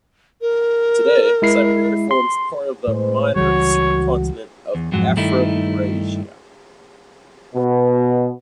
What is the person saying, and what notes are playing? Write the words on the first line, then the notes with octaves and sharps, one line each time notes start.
Today, Siberia forms part of the minor supercontinent of Afro-Eurasia.
A#4
G#3 E4 C7
C6
A2 G#3 B4 C5
C#2 F#2 E3 G3 F#4 C#5
E2
F2 G#2 F#3
G2 D#3 A3 D#4 E4
B2